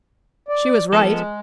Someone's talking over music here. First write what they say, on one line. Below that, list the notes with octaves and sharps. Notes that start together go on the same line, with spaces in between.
She was right.
D5
D#3 F3 B3 A4
G#3